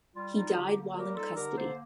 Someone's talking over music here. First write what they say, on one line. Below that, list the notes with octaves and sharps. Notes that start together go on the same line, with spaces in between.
He died while in custody.
G3 F4
D#4 F4
D3 D#4 G4
A#3
G3 G4 A#4
D#4 F4 A4
D3 G4 A#4
A#3 A4 C5